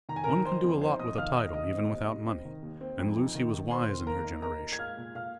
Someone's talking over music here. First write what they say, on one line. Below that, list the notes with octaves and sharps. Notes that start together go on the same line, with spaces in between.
One can do a lot with a title even without money, and Lucy was wise in her generation.
D#3 A#5
G#5
D#3 A#4 A#5
D#4 C5 C6
F2
D#4 C5 C6
F2 D#5 D#6
D#3 F5 F6
D#4 D#5 D#6
D#3 D#5 D#6
C4
D#2
D#2
C4
D#3
D#2
C4
F2
D#4
D#3
D#3
D#3 C5 C6
D#3
A#3 A#4 A#5
D#4
D#4 A#4 A#5
A#2
G#6
G#3 F5 F6
A#2
A#2 F5 F6